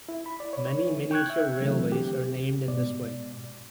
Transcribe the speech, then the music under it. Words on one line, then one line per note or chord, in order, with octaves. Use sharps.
Many miniature railways are named in this way.
E4
B5
D5
C#5
C#5
E3
G5 C#6 F#6 G#6
E5
D3 E3 F#3 A3 C4
G4
G#2 B2 D5